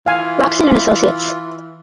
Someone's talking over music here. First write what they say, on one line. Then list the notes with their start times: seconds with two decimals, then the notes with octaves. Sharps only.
Locsin and Associates.
0.06 E3 F4 F5 G#5